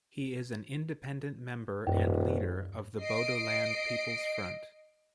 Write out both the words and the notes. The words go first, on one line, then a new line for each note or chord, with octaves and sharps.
He is an Independent member and leader of the Bodoland People's Front.
D#1 F#2
D#5 C7 D7